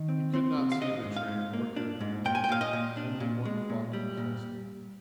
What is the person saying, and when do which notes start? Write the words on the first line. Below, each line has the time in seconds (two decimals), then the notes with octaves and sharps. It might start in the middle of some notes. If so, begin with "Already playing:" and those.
He could not see the train or hear the noise. Only one thought possessed him.
Already playing: D#3
0.09 C4
0.34 C4
0.57 C3
0.72 F5
0.81 D4 D#5
1.05 G#2
1.16 F5
1.28 G#2
1.53 A#3
1.76 D4
2.01 G#2
2.25 A#2 G5
2.35 G#5
2.44 G5
2.49 A#2 F5
2.61 D#5
2.73 A#2
2.97 D4
3.20 A#2
3.45 G#3
3.69 A#2
3.93 G3
4.17 A#2